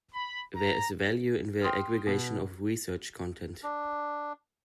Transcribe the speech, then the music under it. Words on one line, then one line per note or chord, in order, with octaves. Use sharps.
There is value in the aggregation of research content.
B5
A#5
G5 C6 D#6 F6
B2
D4